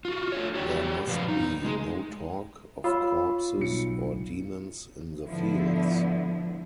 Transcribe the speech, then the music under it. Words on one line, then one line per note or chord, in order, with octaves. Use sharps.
There must be no talk of corpses or demons in the fields.
F4 F#4
A3 D4 C#5
F#4 G4 C#5 D5 E5 G5
G2 A#2 F3 B4 F5
D#4
G#3 A3 G#4
F4 C#5 B5 E6
B1 C#7
G#2 D3 F3 B3 E4